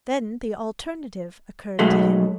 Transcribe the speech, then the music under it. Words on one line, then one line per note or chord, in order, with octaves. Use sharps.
Then the alternative occurred to him.
B1 F#3 G#3 A3